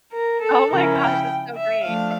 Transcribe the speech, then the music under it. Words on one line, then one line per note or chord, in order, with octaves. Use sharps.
Oh my gosh. That's so great.
A#4
A4
C#3 F3 C#4 E4 A#4
G5
E5
F3 A3 D4 F5